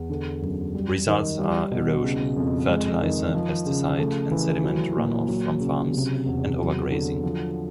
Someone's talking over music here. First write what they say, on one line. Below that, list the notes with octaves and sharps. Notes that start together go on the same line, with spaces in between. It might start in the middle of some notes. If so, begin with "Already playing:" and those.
Results are erosion; fertilizer, pesticide and sediment runoff from farms; and overgrazing.
Already playing: E2
D3
F#2
G3
D#3
G3
B2
C#3
F2
G#3
D#3
F3
C#3
A3
E3
F#3
A#2
F#3
C#3
C3
E2
F#3
D3
F3